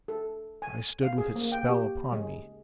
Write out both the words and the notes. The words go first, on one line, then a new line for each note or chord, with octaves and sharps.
I stood with its spell upon me.
A4
G#5
F5
G#4
A#3
G5
G4
G#3